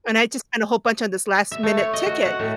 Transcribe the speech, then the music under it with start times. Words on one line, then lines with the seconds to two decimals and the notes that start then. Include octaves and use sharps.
And I just spent a whole bunch on this last minute ticket.
1.51 E5
1.63 A3
1.77 C#5
1.93 D#5
2.06 F#4
2.26 F#5
2.39 A2